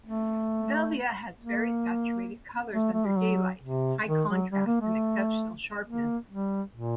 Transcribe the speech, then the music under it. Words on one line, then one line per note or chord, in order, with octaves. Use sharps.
Velvia has very saturated colors under daylight, high contrast, and exceptional sharpness.
A3
A#3
A3
A3
G3
F#3
C3
D#3
F#3
G3
A#3
A3
A#3
G3
A#2